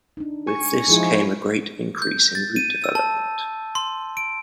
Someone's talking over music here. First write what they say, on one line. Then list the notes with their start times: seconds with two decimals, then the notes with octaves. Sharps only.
With this came a great increase in route development.
0.17 D4 D#4
0.47 G#5 C#6
0.89 F3 G#3 D#4 E4
2.02 G6
2.35 A6
2.56 D#7
2.84 E6
2.95 A5
3.75 C6
4.17 D7